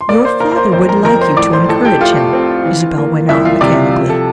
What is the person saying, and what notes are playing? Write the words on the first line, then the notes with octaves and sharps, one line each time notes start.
"Your father would like you to encourage him," Isabel went on mechanically.
C6
A#3 D5 D6
C5 C6
A#3 A#4 A#5
A#5
C5 C6
F2 C5 C6
A#4 A#5
F2 A#4 A#5
C5 C6
A2 D5 D6
C5 C6
A2 A4 A5
G4 G5
A3 F4 F5
C4
E3
A#3
C2 E4 E5
F4 F5
C3 D5 D6
F3
A4 A5